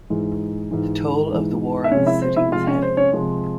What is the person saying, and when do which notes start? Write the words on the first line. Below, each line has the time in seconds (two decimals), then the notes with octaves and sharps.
The toll of the war on the city was heavy.
0.10 G#2 E3 G#3
0.71 G#2 E3 G#3
1.31 G#2 E3 G#3
1.84 E5
1.91 C3 F3 G#3 C#4 C#5
2.06 E4 E5
2.22 C5
2.36 E4 E5
2.52 C3 F3 G#3 F4 F5
2.67 C#4 C#5
2.82 C5
2.97 C#4 C#5
3.12 C3 F3 G#3